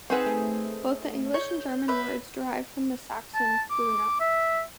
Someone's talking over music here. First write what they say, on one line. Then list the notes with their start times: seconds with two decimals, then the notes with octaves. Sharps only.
Both the English and German words derive from the Saxon "brunna".
0.10 C4 D#4 G#4 B4 F#5 E6
0.26 A3
1.34 C#5 G6
1.88 B4 E5
3.35 A5
3.70 D6
4.20 E5